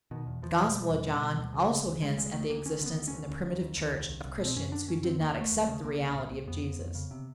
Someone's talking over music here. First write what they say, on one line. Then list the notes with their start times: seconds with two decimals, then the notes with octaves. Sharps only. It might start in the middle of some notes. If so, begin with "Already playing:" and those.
The gospel of John also hints at the existence in the primitive church of Christians who did not accept the reality of Jesus.
0.11 B2 D#3
0.27 E2
0.42 E2 F3
0.59 B2 F#3
0.74 B2 G3
0.90 E2
1.07 B2
1.22 B2
1.38 D2
1.54 C#3
1.70 C#3
1.86 D2
2.02 D2 G#3
2.18 C#3 G#3
2.33 D2 A3
2.50 D2 A#3
2.65 D2 C#4
2.81 D3 B3
2.97 D2
3.08 C#4
3.14 D3
3.29 D#2
3.45 D#2
3.61 D#2
3.77 D#2
3.92 C2
4.09 C2
4.24 C2
4.40 B2 C4
4.56 F#2 C#4
4.72 D3 D4
4.88 F#2 C#4
5.04 D3 C4
5.20 D#2 A#3
5.36 D#2
5.41 A3
5.52 D#2
5.62 A3
5.68 C#3
5.84 C2 A#3
5.99 C2
6.15 A#2
6.31 C2
6.47 F2 B3
6.63 F2
6.79 F2
6.95 C#3
7.11 C3